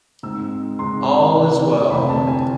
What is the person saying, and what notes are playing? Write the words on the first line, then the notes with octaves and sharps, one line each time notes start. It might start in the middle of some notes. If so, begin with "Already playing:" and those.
All is well.
G#2 G#3 C4 E6
G#2 G#3 C4 C6
D2 C3 E3 A3 C4
D2 C3 E3 A3 C4 B5
A5
G#5